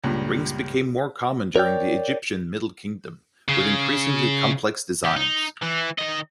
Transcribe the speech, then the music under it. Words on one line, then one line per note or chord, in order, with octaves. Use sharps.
Rings became more common during the Egyptian middle kingdom, with increasingly complex designs.
C#2 G2 A#2
A#4 C#5 D5 G5
C#3
C#2 G4
D#4
E3
D#3 D#5